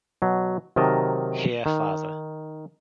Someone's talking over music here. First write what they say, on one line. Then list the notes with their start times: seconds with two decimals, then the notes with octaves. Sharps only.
Here Fr.
0.22 B2 F#3
0.76 C3 D#3 F#3 A#4 D#5 A5
1.66 D#3